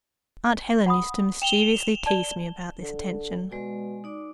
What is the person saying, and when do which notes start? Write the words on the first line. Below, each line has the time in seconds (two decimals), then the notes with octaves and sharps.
Aunt Helen used to mischievously tease me about this attention.
0.86 F#5 B5 D#6
1.42 G5 E7 F7 G7
2.06 D5 A5
2.83 D3
3.52 B2 G#3 D5
4.04 D#4 D5 D6